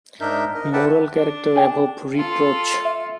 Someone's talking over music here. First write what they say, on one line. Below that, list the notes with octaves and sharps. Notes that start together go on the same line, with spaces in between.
Moral character above reproach.
G#2 D4 D#4 A#4 E5 G6
A#4 D#5
B4 D5 E5 F#5 G5 A5
D4
G#4 G5
F4 A4
E5